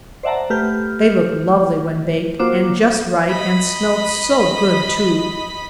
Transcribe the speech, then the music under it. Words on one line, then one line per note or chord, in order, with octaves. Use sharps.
They looked lovely when baked, and just right, and smelled so good, too!
C5 D5 E5 F#5 A5 A#5
A3 G4 B4 F6 G6
A#3 F4 F#4 C5 D6 E7
D#5 B5